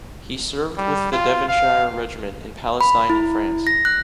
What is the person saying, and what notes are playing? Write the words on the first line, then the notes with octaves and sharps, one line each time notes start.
He served with the Devonshire Regiment in Palestine and France.
G3
F4
F5
B5
E4
A#6
F#6